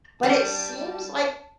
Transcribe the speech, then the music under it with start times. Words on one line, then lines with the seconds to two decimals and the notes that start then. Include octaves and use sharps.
But it seems like
0.23 G3 D4 A5